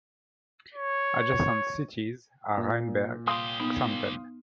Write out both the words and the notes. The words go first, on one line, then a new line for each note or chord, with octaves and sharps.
Adjacent cities are Rheinberg, Xanten.
C#5
A#2
C2 G4 F5 C6 D#6
B3 D#4